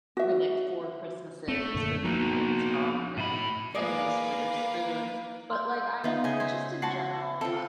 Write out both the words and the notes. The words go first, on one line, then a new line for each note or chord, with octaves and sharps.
or, like, Four Christmases with Vince Vaughn and and Reese Witherspoon. But, like, I'm just in general a
F#4 E5
A3 C4
F#2 A#2 D3
F3 A#3 B3 D#4 F#4
A2 B5
G#3 A#3 B4 D5 F5
C6 E6 G6
B3 D#4 F4 E5
C#3 D#5 G#5
C5 E5 G#6
F#4 A5 C6 C7
C4 F4 A4